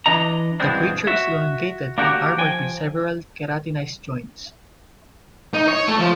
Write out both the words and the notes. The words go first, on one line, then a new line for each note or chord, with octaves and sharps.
The creature is elongated and armored with several keratinized joints.
E3 D4 D#5 A#5
G2 B2 E3 G#3 C4 D4
F#4 E5
A#3 D4 F#4 G4 A4 A#4
F3 G5 G#5
D#4
C#5
A3
F3